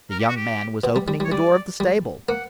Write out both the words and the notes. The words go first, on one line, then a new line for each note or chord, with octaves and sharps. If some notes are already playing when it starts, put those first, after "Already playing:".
The young man was opening the door of the stable.
A#4
G4
F#4
G4
B2
G3
G3
G3
C#5
G3 D5
G3
A#3 F#5